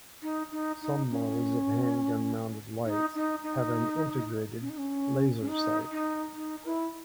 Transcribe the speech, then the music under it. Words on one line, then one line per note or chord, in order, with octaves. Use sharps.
Some models of handgun-mounted lights have an integrated laser sight.
D#4
D#4
D#4
C#4
D#4
D#4
D#4
C#4
D#4
C#4
C#4
D#4
D#4
D#4
E4